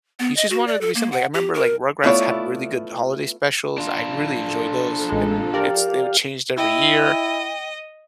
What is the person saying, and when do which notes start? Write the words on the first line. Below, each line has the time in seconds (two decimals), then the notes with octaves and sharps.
you just want it to be simpler. Like, I 'member, like, Rugrats had really good holiday specials, I really enjoyed those, and it's they were changed every year.
0.20 B3
0.37 D#5
0.50 F#4
0.67 D5
0.81 A4
0.95 A#3
1.12 F#5
1.34 G4
1.54 A#4
2.04 A3 B3 E4 F4 C#5 D5
3.78 D4 F4
4.44 F3 A4
5.09 A1 G#3
5.54 G4 A#4 D5 F5
6.57 E4 D#5 G5